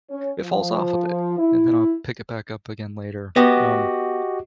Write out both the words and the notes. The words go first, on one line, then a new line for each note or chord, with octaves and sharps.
it falls off a bit, and then I'll pick it back up again later. Um,
C#4
F3
E4
B3 F#4 G4 D#5